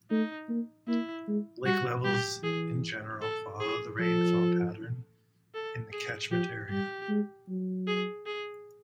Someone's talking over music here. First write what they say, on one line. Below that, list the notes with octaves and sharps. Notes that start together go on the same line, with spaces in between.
Lake levels in general follow the rainfall pattern in the catchment area.
A3 D#4
A#3
A#3 E4
G#3
G3 F#4
G3 G4
E3 G#4
A4
G#4
F3 A4
A4
G#4
F3 G4
G3 G4
G#3
F#3
G#4
G#4